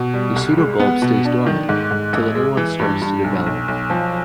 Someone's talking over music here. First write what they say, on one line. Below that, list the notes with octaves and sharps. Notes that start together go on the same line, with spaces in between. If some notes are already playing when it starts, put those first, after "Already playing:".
The pseudobulb stays dormant, till a new one starts to develop.
Already playing: B2
G3
C2
G#3
B3
B2
D4
D#3
G#2
G#2
A1
G#3
E3
G2
G2
B1
B1
B1
F3